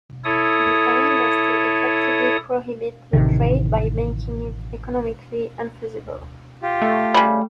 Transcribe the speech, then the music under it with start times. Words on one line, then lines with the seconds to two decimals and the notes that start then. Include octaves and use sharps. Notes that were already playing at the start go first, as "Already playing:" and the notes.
The aim was to effectively prohibit the trade by making it economically unfeasible.
0.24 E4 A4 C#5 D#6
3.13 A1 C3 D#3
6.62 F4 G4
6.82 A3
7.14 C#3 G3